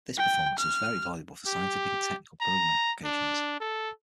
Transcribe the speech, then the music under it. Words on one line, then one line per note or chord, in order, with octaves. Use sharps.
This performance was very valuable for scientific and technical programming applications.
G5
F6
G4
A#5
D4
A4